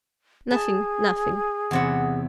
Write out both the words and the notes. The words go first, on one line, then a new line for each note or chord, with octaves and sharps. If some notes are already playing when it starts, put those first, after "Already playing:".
"Nothing, nothing."
G#4 A5
E2 C3 F#5